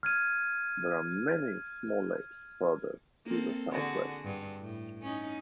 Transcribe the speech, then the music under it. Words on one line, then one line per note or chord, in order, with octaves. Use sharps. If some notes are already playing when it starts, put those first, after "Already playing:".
There are many small lakes further to the southwest.
F6 G#6 D#7
A#3 C4 A4
D3 F#4 G#4
G2
A2
C#4 D#4